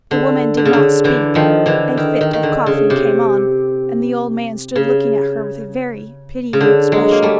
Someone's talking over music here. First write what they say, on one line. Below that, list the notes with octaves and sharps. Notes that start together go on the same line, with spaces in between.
The woman did not speak; a fit of coughing came on, and the old man stood looking at her with a very pitying expression.
D3
D3
C#3
D3
D3 E3
D#3 F3
D3 E3
D#3
D#3
D#3
D3
C#3
C3
C#3
C#3
D3
F#3 G#3
A#3
G3 A3